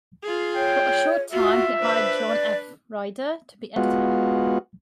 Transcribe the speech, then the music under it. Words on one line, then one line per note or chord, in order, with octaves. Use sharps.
For a short time he hired John F. Rider to be editor.
F4 G#4
C#5 G5
F4 F#4 E5
D4 B4 C5
D5
G#3 B3 F4 F#4